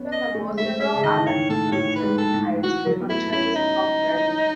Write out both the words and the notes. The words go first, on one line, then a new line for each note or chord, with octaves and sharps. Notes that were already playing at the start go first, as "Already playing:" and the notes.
Furthermore, several other employees have been arrested on charges of bribery.
Already playing: B3 C#4
D#5
A3
G#3
A3 E5
G#3 E5
C#3
D#3 D#5
E3
D#3 C#5
A2 A4
A2 C#5
B4
G#2
A4
A2
E3 F#4
F#3
B3
A3 E4
B3
C#4 E4
D#4